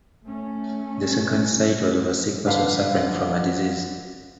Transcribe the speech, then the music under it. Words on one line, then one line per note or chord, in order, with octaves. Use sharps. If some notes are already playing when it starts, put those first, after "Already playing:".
The second sight was of a sick person suffering from a disease.
A3 C#4
D3 B4 F5